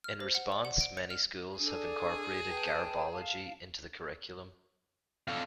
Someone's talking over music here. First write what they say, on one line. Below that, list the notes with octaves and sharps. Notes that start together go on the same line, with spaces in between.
In response, many schools have incorporated garbology into the curriculum.
F6
C5
F#5
D5
F#5
D7
C#7
F6
D4 G#4 A4
B4 G5 A5
F5 A5
F2 D3 A4 F5